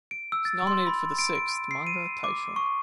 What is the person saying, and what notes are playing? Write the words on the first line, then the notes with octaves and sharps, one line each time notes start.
It was nominated for the sixth "Manga Taisho".
D7
E6
A6
C6
B5
D7
D7
C7
D#7
D6
C#6